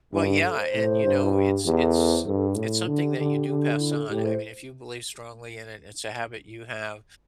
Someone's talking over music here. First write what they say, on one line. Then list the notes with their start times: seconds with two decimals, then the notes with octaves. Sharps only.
Well, yeah, and, you know, it's it's it's something that you do pass on, I mean, if you believe strongly in it, it's a habit you have,
0.13 G2 E4
0.28 G4
0.43 A4
0.58 C5
0.74 A2
1.04 G2
1.23 E4
1.34 G4
1.65 E2 G4
1.81 A4
1.96 A4
2.11 C5
2.26 G2 A4
2.36 A4
2.47 G4
2.56 A2 E4
2.87 D3 D4
3.02 G4
3.18 D3
3.48 D3
3.78 E4
3.94 A4
4.09 A2 G4
4.25 C5